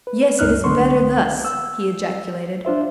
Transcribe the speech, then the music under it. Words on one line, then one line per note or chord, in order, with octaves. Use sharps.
"Yes, it is better thus," he ejaculated.
B4
C#2 G2 D#4 F6 F#6
C2 D3 A3 B3 C6 C#6
E6
D4 F4 C5 E5